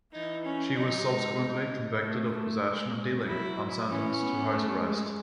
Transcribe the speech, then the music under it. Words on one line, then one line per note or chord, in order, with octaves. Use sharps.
She was subsequently convicted of possession and dealing and sentenced to house arrest.
E3 D#4
C#4
F#3 D#4
G#3
A3
A3
G#3
F#3 E4
E3 C#4
B3
A3
G#3